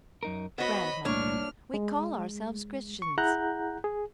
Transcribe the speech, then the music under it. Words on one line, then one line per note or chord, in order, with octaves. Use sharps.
Grandmother, we call ourselves Christians.
F#2 D#4 A#4
B3 F#4 C5 C#5 D#5 B5
B1 A2 G3 A#3 D4 C#5 F6
G#3
C#6
E4 G#4 F#5 A#5 F#6 G6
G#4